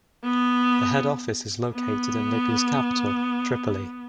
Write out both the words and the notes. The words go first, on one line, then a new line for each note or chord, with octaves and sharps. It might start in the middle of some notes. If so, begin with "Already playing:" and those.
The head office is located in Libya's capital Tripoli.
B3
B3